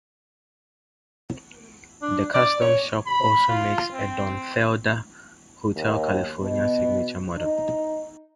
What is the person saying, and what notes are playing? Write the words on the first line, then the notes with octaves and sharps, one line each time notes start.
The Custom Shop also makes a Don Felder "Hotel California" signature model.
D4
D5
C#5
B5
F4
C4
D#2
B2
D#4